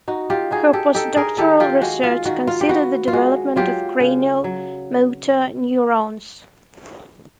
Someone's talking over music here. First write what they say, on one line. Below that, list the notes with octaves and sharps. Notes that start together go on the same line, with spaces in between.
Her postdoctoral research considered the development of cranial motor neurons.
D#4 F#4
F4 G4
D#4 F#4 G#4
G4 A4
D#4 G4 A4
G#4 A#4
D#3 G4 A4
F4 G4
G#3 F#4
F4
D#3 F#4
F4
G4
B3 F#4
F4
G#3 F#4
F#3 F4 G4
C#3
F#3